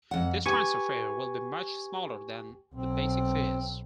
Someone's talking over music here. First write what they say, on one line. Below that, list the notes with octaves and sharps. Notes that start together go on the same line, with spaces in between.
This transfer fare will be much smaller than the basic fares.
F2 F#5
G4 B4 G#5 C#6
B1 C4